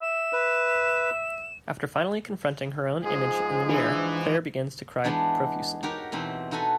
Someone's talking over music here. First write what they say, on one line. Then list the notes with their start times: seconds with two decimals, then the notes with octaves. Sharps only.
After finally confronting her own image in the mirror Clare begins to cry profusely.
0.02 E5 E7
0.33 B4
3.04 G#2 F3 G#3 G#4
3.69 E3 D4
5.04 E3 G#3 B3 D4 D#4
5.83 D#4 F#4 G4 A#4 C#5
6.12 B2 E3 C4 D#4
6.51 D#4 F#4 A4 B4 G#5